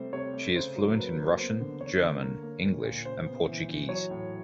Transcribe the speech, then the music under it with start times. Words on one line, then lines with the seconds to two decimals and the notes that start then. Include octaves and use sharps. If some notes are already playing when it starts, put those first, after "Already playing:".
She is fluent in Russian, German, English, and Portuguese.
Already playing: C3 G3 A3 C5
0.13 C3 C#5
0.34 A3
0.55 C#3 C5
0.76 F#3
0.96 A#3 B4
1.18 A#3
1.38 B3 C5
1.60 D3
1.81 D3 C#5
2.01 D3
2.22 A#3
2.43 A#3
2.64 A#2
2.84 A#2
3.05 C#3 C5
3.26 B3
3.47 E3
3.69 E3
3.89 F#3 C#5
4.10 A2